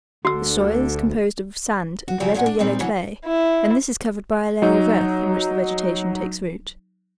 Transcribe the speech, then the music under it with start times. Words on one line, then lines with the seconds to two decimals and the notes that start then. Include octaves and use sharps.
The soil is composed of sand and red or yellow clay, and this is covered by a layer of earth, in which the vegetation takes root.
0.25 D2 D3 F#4 E6
2.08 F#4
2.20 C#3 F3 F#3 G4 D5
2.34 A#2 F#3 G4 G#4 F#5 G#5
2.46 D4
2.59 A#2 G3 C4 D#4
2.79 C#3 E3 F#3 C#4
3.25 E4
4.62 F#3 D#4